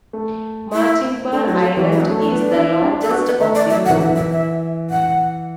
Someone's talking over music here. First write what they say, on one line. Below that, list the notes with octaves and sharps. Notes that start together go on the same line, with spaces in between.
Marchinbar Island is the largest of the group.
A3
E4
A3 D4
F#3 E4
F#3 A4
E3 F#4
F#3 E4
B3
D4
A3
D4
B3
D4
E4
D4
A4
B3 F#4
B4
A3 E5
D5
F#3 E5
F#5
E3
E5
E3 E5
E5
F#5